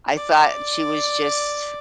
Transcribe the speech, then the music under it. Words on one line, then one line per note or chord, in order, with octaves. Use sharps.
I thought she was just
D5